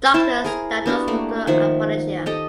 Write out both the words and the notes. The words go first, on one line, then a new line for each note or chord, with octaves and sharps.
Doctors diagnosed total alopecia.
E4 C5 A5
G#4 A#4 A#5
B3 D4 F#4 G4
A3 A#3
D#3 F3 E5 F#5
G4 A4 D#5